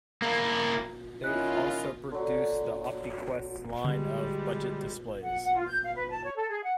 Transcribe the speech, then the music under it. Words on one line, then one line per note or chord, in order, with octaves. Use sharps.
They also produce the Optiquest line of budget displays.
A#3 E4
D#3 C#4 E4 F4 D#5 F#6
D3 F#3
D3 G3 G#3
F#5
F#5
F4
G6
F5
B4
A5
C#5
A4
G#4
F#5